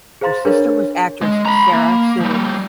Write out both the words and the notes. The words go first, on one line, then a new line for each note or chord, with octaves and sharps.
Her sister was actress Sarah Siddons.
G#4 C5 F5 A#5 C6 A6
D4 G#4 A#4 B4 C#5
G#3
A#5 B5
A#3
F3 G3